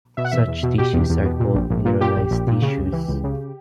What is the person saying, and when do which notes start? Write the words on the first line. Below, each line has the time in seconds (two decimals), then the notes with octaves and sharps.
Such tissues are called mineralized tissues.
0.17 B2 E5
0.25 F#5
0.32 E2 E5
0.47 E2
0.63 B2
0.78 B2 G4
0.93 E2
1.10 E2
1.24 B2
1.40 A#2
1.54 A#1
1.70 A#1
1.85 A#2
2.01 A#2 G4
2.16 A#1
2.31 A#1
2.47 A#2
2.62 C#3
2.78 C#2
2.93 E3
3.09 C#2
3.24 C#3